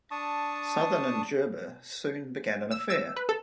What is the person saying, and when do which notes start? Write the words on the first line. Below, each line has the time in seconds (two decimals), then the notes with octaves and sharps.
Southern and Gerber soon began an affair.
0.11 D4 A5 C#6 D#6
2.71 E6
2.90 E6
3.16 B4
3.29 A4